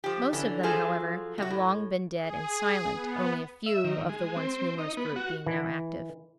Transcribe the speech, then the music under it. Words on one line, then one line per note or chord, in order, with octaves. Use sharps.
Most of them, however, have long been dead and silent, only a few of the once numerous group being now active.
F3 G4
D3 E3 C#4
F3 F#3 F4 G#4 A4 C5
C3 F#4
A2
G#4
B3
E5
D#3
G#3
C4
D#4
B3
F#4
E3